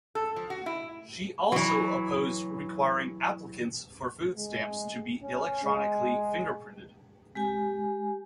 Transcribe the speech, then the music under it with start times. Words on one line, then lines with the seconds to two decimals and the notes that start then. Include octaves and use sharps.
She also opposed requiring applicants for food stamps to be electronically fingerprinted.
0.15 A4
0.36 F3
0.50 F#4
0.66 E4
1.52 E3 F#3
4.36 G#3
5.22 C#4
5.64 G#3
7.35 G#3 G4 G#5